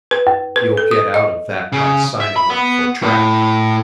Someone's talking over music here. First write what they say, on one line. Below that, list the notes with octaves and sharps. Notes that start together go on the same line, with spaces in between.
You'll get out of that by signing up for track.
B4
F#2
B4
A4
D#6
D#5
C#3
E5
B5
B3
A2